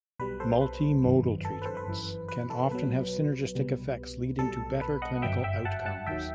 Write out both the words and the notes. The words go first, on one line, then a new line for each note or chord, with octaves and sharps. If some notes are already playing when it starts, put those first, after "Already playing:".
Multimodal treatments can often have synergistic effects leading to better clinical outcomes.
B1 B2 G3 B4
A4 C5
B4
G1 F#2 D#3 F#3
A4
B4
A4 C5
B4
G1 F#2 E3
B4
A4
B1 B2 F#3 B4
C2 B2 G3
B1 B2 G3 A4
B4
D#5 F#5
G1 F#2 F#3 E5 G5
E5 G5
F#5 A5
F#5 A5
D#2 D#3 F#3 E5 G5